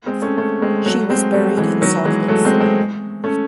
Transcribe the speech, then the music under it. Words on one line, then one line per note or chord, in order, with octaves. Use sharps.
She was buried in Salt Lake City.
G#3 C4
A3 C#4
A3 C#4
G#3 C4
F#3 A3
G#3 C4
F#3 A3
E3 G#3
D#3 F#3
E3 G#3
F#3 A3
G#3 C4
G#3 C4
A3 C#4